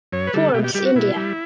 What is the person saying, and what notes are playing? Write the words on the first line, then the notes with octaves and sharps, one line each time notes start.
Forbes India.
F#2 C#5
B4
D3 G3 A4
B2 G4
G4
G3 G4
F#4
B2 E4
G3